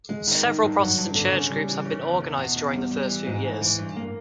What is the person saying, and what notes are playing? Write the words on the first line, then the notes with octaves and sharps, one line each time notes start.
Several Protestant church groups had been organized during the first few years.
G#3
D#3
D#3
G2
F#3
G2
D3
C#3
G3
E3
C#3
E2
E2
B2
E2
G3
G3
E3
G#2
E3
E3
G2
A#3